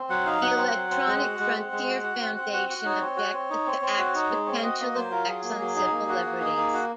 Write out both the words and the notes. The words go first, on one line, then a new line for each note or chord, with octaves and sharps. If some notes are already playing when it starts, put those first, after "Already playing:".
The Electronic Frontier Foundation objected to Act's potential effects on civil liberties.
Already playing: C4
F#3 F#5
D#4 F5
F#3 F#5
C4
F#3
C4
G#3
F#4
G#3
C4
G#3
F#4
F#4
C4
C4 F#5
F#4 F#5
F#4 F#5
D#4 C#5
C4
F#4
C4
D#4
C4
C4
F#4
D#4
G#3
C4 C#5
F5
F#4 D#5
A#3 D#5
F#3 C5
F4 A#4
F#3 G#4
A#3
F#3
D#4
A#3
F#4
A#3
D#4
A#3
F#4